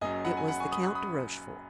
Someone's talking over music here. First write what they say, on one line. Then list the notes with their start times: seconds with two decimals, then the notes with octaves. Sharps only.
It was the Count de Rochefort.
0.01 F#1 F#2 F#3 D#5 G#5
0.25 F#5 B5
0.37 G#5
0.48 F#5 B5
0.60 G#5 C#6
0.71 B5 D#6
0.83 C#6 F#6
0.95 B5 D#6